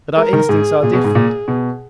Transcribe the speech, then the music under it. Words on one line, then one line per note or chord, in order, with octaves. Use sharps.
But our instincts are different.
G#3 A#4
D#3
G#2 G#4
A#2 G#4
B2
G#2
A#2
B2